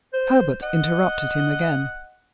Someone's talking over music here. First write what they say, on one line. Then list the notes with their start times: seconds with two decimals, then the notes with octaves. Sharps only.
Herbert interrupted him again.
0.13 C5
0.62 D#5 F#5